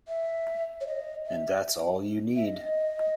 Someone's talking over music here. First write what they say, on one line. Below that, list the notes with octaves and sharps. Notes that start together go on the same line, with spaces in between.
And that's all you need.
E5
C#5
D#5
E5
E5
D#5